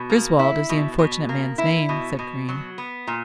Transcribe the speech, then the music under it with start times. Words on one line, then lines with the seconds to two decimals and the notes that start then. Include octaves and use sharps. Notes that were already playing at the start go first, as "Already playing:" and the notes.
"Griswold is the unfortunate man's name," said Green.
Already playing: B2
0.10 A#3
0.39 E4
0.69 B2
0.99 B2
1.29 A#3
1.58 E4
1.89 B2
2.19 B2
2.49 F#3
2.78 B3
3.07 A#2